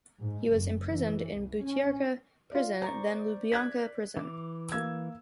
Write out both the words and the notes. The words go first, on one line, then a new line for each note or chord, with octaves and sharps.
He was imprisoned in Butyrka Prison then Lubyanka Prison.
G#2
F#1
E3
C2
C#4
F4 D5
C5 D5 A#5 C#6
F#6 G#6 B6
E3 D6
A#3 E6 G#6